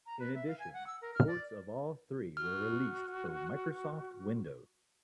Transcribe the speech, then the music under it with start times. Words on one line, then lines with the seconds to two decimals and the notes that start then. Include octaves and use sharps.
In addition, ports of all three were released for Microsoft Windows.
0.06 A#5
0.20 B4
0.35 E5
0.48 F5
0.59 G#5
0.73 F#5
0.87 E6
1.02 A#4
1.14 F6
1.27 D5
2.37 F#4 F6